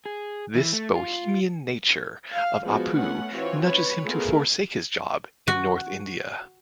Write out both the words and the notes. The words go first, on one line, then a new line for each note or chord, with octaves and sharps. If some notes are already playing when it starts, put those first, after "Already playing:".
This bohemian nature of Apu nudges him to forsake his job in North India.
G#4
E3
A3
F4
F5
F3 G#3 B3 F#4
A3 B3 C#4 F#5
E3 C4 F4 F#4 C#5
B4 C#5
A3 B3 F4 G#4 A#4
F#4